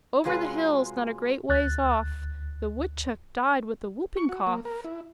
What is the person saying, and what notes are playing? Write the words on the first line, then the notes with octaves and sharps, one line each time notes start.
"Over the hills, not a great ways off, The woodchuck died with the whooping-cough!"
C3 F#3 G#3 F4 G#4 B4
D2 F#6 A6
C#6
F#4
A#3
A#4
E4